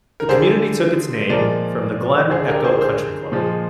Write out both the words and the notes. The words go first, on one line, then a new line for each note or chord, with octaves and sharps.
The community took its name from the Glen Echo Country Club.
A#4
D3 G3 G#4 C5
A#2 F3 G#3 A#4 D5
D3 G#3 G#4 C5
G4 A#4
G#4 C5
G#4 C5
A#2 F3 G#3